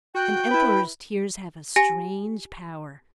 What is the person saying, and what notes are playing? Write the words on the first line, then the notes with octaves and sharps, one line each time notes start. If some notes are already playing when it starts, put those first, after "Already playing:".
An Emperor's tears have a strange power.
F#4 G5 F#6
E4 B4 B5
G4 G#5 A#6